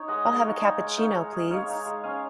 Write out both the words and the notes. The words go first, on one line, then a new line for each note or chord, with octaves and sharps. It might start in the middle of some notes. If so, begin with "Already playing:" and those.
I'll have a cappuccino please.
Already playing: D#4 C#5
G#3 D#5 F#5
G#3 D#5 F#5
D#4 C#5 F5
D#4
G#3
D#4 C#5 F5
G#3
G#3
D#4 C#5 F5
D#4
G#3
C#4 F5 G#5